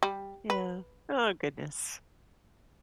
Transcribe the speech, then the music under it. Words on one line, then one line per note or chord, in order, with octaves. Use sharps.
Yeah. Oh goodness.
G3
B4